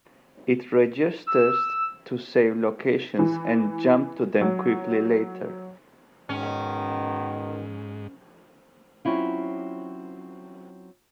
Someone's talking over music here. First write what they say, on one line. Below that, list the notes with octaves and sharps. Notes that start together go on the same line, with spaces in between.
It registers to save locations and jump to them quickly later.
E6
E3
F#3
G#2 B2 D#3 C#4
F#3 C4 C#4 E4 F4